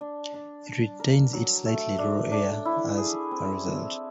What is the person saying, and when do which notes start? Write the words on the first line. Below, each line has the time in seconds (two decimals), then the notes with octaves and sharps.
It retains its slightly rural air as a result.
0.01 D4
0.34 D4
0.67 D4
1.00 A#4
1.33 F#3
1.66 A3
1.99 D4
2.32 D4
2.65 E4
2.98 G#4
3.31 C4
3.64 C4